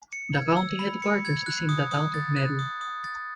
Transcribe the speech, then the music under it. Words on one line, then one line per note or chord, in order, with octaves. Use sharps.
The county headquarters is in the town of Meru.
C#7
G#6
E6
B5
C#7
G#6
F#6
D#6
D#6
A6
F#6
D#6
D#6
A6